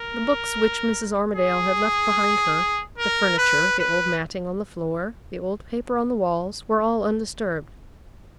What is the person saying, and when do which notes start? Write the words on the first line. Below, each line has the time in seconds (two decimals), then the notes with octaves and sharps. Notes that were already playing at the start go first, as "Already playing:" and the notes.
The books which Mrs. Armadale had left behind her, the furniture, the old matting on the floor, the old paper on the walls, were all undisturbed.
Already playing: A#4
1.36 G#4
2.98 A#4
3.38 B4
3.80 B4